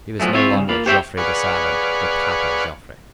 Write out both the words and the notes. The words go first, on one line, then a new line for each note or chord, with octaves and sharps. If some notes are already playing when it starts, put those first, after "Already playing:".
He was no longer "Joffre the Silent," but "Papa Joffre."
F3 F#3 G#3 A3
C4 E4 F4 C#5
G2 C#3
A#3 F4 F5 B5
G4 C5 C#5 E5 F#5 G5
G#4 B4 C#5 D5 F5 F#5